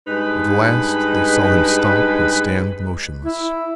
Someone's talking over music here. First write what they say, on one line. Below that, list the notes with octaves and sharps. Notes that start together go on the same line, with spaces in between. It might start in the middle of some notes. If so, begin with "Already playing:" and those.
At last, they saw him stop and stand motionless.
G2 G#3 D#4 B4
E4